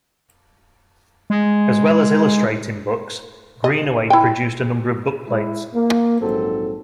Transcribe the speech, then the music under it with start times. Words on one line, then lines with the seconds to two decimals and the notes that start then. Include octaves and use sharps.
As well as illustrating books Greenaway produced a number of bookplates.
1.30 G#3
3.64 D#5
4.10 E4 G5
5.27 G#3 E4
5.75 A#3
6.20 A#1 G#2 F#3 C4 A4